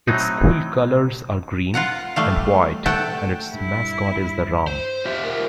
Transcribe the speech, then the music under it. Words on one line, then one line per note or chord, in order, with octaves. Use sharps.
Its school colors are green and white and its mascot is the Ram.
A2 F#3 C4 D#4
F4 F5 F#5 A#5
G3 A3 F5
A3 F#5 G5 A5
G2 E4
C5
F4 G4 E5
A#4